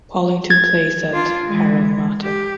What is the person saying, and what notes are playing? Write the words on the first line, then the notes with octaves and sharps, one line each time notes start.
Polling took place at Parramatta.
G#6 A6
D4 F4
E3 G#3
G4